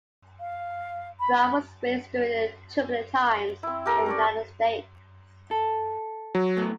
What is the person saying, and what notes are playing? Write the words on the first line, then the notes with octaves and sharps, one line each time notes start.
Brown was raised during turbulent times in the United States.
F5
B5
C4 E4
G4 A4 A#4
C#4 C#5 D5
A4
F#3
A2 A3 B3